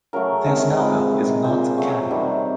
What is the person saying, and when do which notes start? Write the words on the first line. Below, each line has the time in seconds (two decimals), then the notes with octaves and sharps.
This novel is not canon.
0.13 C#3 F#3 A3 A#4
0.46 C3 D#3 G#3
0.79 C3 F3 G#3 B4
1.11 C3 D#3 G#3
1.44 A#2 F3 G#3 C5
1.77 C#3 F#3 A3
2.10 C3 D#3 G3